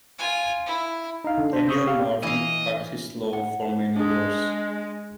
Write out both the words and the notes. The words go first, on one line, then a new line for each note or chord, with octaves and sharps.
Daniel Marvin practiced law for many years.
F4 G#5
E4
D#4 F5
D3
D4 C5
C#6 D#6 E6 G6
G4 F5
E3 D#5 F5
F#5
G#3 D4 G#4